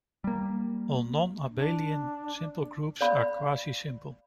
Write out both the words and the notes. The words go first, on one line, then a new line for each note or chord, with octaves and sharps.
All non-abelian simple groups are quasisimple.
G3 A#3
D4
D5 F5 B5